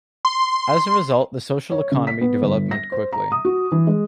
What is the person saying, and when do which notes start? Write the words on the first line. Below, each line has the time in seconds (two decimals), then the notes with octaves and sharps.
As a result, the social economy development quickly.
0.25 C6
1.71 C#5
1.92 C#3
2.07 B6
2.21 B3
2.42 G1
2.71 A#6
2.92 C5
3.13 A#5
3.32 D#6
3.45 F#4
3.72 E3
3.87 G#3